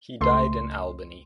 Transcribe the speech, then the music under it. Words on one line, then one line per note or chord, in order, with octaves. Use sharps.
He died in Albany.
C#2 A3 C6